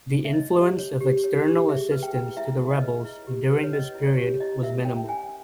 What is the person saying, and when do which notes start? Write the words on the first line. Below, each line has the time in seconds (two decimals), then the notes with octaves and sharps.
The influence of external assistance to the rebels during this period was minimal.
0.25 E5
0.33 C#5 D#5
0.56 G4
0.79 C#5
1.01 G4
1.24 C#5
1.46 G4
1.69 G#4 E5
1.92 B4
2.03 G5
2.14 E4
2.37 E4 E5
2.59 G#4
2.71 D#5
2.82 B4
3.05 E4
3.27 G4
3.50 B4
3.63 C#5
3.73 C#4 D#5
3.95 E4
4.06 C#5
4.17 G4
4.40 E4 D#5
4.63 A#4 E5
4.85 C#5 G5
5.08 C#4 G#5